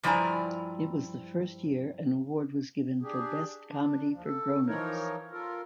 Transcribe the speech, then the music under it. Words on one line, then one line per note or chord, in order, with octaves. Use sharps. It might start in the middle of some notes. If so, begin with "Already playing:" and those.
It was the first year an award was given for Best Comedy for Grownups.
G2 F3 E4 D5 G#5 A#5
D4 G4 G#4
D4
D#2 F3
A4
E3 F3 D#4 A#4 C#5
F4 A4 A#4